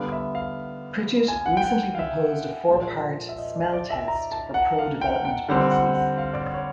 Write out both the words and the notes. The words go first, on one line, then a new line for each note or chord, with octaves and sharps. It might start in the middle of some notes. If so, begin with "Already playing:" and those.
Pritchett recently proposed a four-part "smell test" for pro-development policies.
Already playing: D3 G3 B3 F5
E5
F5
G#5
F#5
G5
F#5
F5
E5
A#2 F3 G#3
E5
D#5
D5
D5
E5
A#5
A5
F#5
F5
G5
G5
D3 G3 C4 F#5
F#5
F#5
F5
D5
C#5
C#5